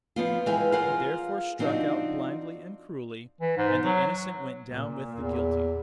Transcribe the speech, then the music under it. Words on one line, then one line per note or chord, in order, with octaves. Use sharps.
He therefore struck out blindly and cruelly, and the innocent went down with the guilty.
F3 B3 F4
E3 G#3 G#4 B4 F5 G5
F4 G#4 A#4 C5 F5 F#5
F3 C4 D4 D#4 F#4
E3
G#2
F#3
A#2
E2